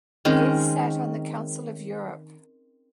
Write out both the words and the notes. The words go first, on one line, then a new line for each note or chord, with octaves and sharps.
Vis sat on the Council of Europe.
D#3 G#3 C4 C#4